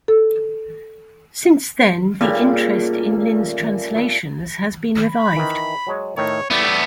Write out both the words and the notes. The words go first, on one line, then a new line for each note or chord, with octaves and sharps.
Since then the interest in Lin's translations has been revived.
A4
A#2 C#3 G3 A3
B5
D#3 E3
F#3 G#3 C#5
A2 D#3 A3 C#5
A3 B3 E4 G4 D5